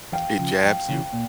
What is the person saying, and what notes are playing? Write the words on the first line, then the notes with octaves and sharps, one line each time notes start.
It jabs you.
E2 F5 G5
C#3 F3
F2 F5 G5
C#3 E3
A#2